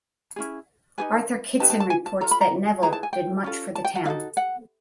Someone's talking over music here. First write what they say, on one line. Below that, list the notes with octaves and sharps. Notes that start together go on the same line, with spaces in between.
Arthur Kidson reports that Neville "did much for the town".
C#4 E4 G#4
D#4 G#4 B4 G#5
D#4 G4 B4 A5
A5
A5
G#5
A5
F4 A4 A#5
B5
A#5
E4 G#4 B4 A#5
A5
G#5
G5
C#4 F4 A4
A5
G5
F#5
D#4 F#4 A4 F5
F#5